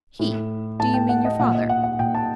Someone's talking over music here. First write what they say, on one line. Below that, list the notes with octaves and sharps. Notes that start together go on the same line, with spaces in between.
"He--do you mean your father?"
A2
A2 A5
G5
F#5
D#5
A#2 F#5
D#5
F#5
F#5
A#2 G5
A5